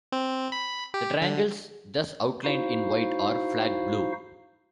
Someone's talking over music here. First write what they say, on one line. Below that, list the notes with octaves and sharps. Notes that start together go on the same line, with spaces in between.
The triangles thus outlined in white are flag blue.
C4
B5
G4
D3
D#4 E4 F#4 C5 F5